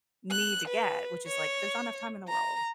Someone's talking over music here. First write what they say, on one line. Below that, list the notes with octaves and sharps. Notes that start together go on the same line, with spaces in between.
need to get, which is, like, there's not enough time in the world.
F#6
B4
C#5
A#5